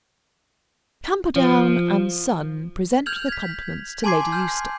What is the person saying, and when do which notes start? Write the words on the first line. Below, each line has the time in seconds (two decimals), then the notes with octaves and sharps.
Camperdown and Son present their compliments to Lady Eustace.
1.36 F3
3.06 F6 G6 G#6 F7 F#7
3.29 G#6 B6
4.04 G#5 A5 C6 D6 G#6 C7
4.32 F6 G6